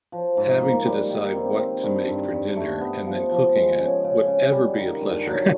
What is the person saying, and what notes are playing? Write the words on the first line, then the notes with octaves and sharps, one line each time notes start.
having to decide what to make for dinner, and then cooking it, would ever be a pleasure.
F3
G#2
A#3
G3
D#3
C4
C4
G2
G2
G2
A3
B3
F3
F3
G#3
C#3
C#3
C#3
G3
D#3
G2
F#3